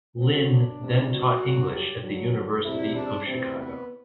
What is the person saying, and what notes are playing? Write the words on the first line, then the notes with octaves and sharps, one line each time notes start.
Linn then taught English at the University of Chicago.
F#2 F#3 C4
D4
D2 C3 E3 G3
F#4
G2 F#3
G4
G2 D3 F#3
E2 C3 G3 E4
D4
D2 C3 E3 C4
B3